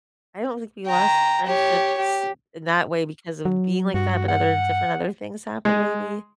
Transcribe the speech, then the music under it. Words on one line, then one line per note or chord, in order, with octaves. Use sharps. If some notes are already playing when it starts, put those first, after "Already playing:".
I don't think we lost friendships in that way because of being like that, but other different other things happened maybe.
G5 A#5
G4 C#5
G4
F#3
G2 F#4
F#5
G#3